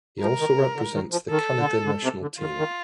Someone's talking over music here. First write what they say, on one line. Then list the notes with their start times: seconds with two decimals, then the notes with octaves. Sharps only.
He also represents the Canada national team.
0.21 F3 A#4
0.39 D#3
0.58 C3
0.76 D3
0.94 D#3
1.12 F3
1.30 D#3 A4
1.58 D3
1.85 D3
2.03 C3
2.21 D3
2.40 D#3 F4
2.58 D#3